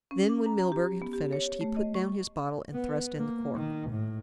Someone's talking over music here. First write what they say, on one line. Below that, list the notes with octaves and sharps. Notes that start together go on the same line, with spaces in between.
Then, when Milburgh had finished, he put down his bottle and thrust in the cork.
C#4
D6
A#5
A#5
G4
B3
G4
C#5
A3
D#5
C#6
B3
A#3
D#3
A2